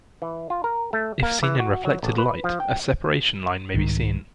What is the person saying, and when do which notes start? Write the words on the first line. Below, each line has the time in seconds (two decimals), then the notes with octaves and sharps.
If seen in reflected light, a separation line may be seen.
0.22 E3
0.50 F4
0.64 A#4
0.93 A3
1.23 A#3
1.43 E3
1.60 F#4
1.85 F#3
2.03 A1
2.18 B4
2.44 F3
2.60 G5
3.74 C2 G#2 D#3